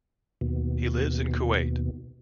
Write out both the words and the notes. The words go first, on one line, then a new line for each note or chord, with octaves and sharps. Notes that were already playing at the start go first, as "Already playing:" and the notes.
He lives in Kuwait.
D#2 B2